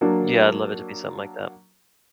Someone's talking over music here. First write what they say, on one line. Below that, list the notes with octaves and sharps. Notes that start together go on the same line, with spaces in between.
yeah, I'd love it to be something like that.
F#3 A#3 D4